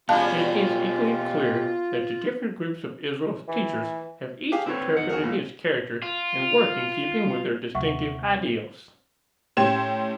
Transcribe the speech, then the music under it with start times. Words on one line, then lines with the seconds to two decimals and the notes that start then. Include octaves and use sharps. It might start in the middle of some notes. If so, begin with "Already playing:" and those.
It is equally clear that the different groups of Israel's teachers have each interpreted his character and work in keeping with their distinctive ideals.
0.09 B2 G3 C#4 F4 G#4 F5 A5 F#6
3.48 E3
4.52 G4 G#4 F5
4.66 D3 C4 B4 C#5
4.97 E2 D#4 F#5
5.09 F#4 G#4 A#4
5.23 A#1 A#2
6.02 F4
7.75 D#2 C3 E5 F#5 C#6
9.57 A2 C#4 G4 C6 G#6 E7